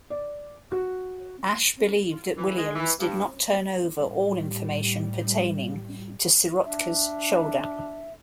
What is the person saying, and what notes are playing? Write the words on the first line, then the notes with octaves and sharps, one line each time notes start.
Ash believed that Williams did not turn over all information pertaining to Sirotka's shoulder.
D5
F#4
E3
G#3
E3
G2
A2 G3
D4 E5